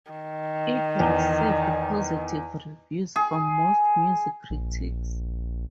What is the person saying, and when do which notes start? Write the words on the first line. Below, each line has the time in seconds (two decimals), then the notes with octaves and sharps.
It received positive reviews from most music critics.
0.12 D#3
0.99 E2
3.16 G#4
4.50 A#1